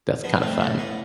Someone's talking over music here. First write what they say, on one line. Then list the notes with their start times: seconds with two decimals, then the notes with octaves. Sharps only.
that's kind of fun
0.24 F3 B3
0.42 F3 A3 C4
0.60 A2 A3
0.78 A2 B3